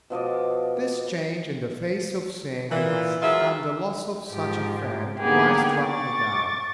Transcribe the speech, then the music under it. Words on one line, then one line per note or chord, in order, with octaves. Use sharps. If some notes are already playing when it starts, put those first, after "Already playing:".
This change in the face of things, and the loss of such a friend, quite struck me down.
B2 F3 D#5 D6
A#2 E3
F#3 G#3 F4 G#4 E5
G#2 F3 G4
D3 A#3 B3 D#4 G4 G#4
C#6 D6 A6